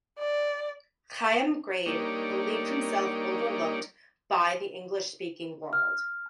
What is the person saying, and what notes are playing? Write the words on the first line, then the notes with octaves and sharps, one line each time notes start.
Chaim Grade believed himself overlooked by the English-speaking world.
D5
G3 A#3 D4 D#4 C#5
F6